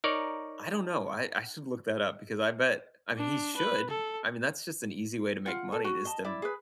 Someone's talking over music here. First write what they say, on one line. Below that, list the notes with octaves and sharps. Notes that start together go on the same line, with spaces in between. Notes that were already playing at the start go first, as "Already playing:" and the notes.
I don't know, I I should look that up because I bet I mean, he should. I mean, that's just an easy way to make money is to m
D#4 A#4 C#5 D5
D4
B4
A4
F4 F#5
A4
F#4
D#5 A5
E4 D5
G#4 B4